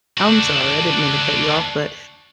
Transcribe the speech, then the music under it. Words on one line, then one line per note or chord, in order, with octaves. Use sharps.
I'm sorry, I didn't mean to cut you off, but
D4 F#4